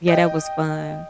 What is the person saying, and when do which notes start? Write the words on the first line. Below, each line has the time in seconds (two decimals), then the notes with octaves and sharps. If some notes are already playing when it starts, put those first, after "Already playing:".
yeah, that was fun,
0.08 D#5 G5